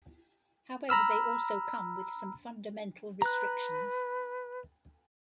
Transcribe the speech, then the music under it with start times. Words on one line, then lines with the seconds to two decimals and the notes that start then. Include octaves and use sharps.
However, they also come with some fundamental restrictions.
0.89 A#5 B5 E6 F6
3.22 B4 A#5 F#6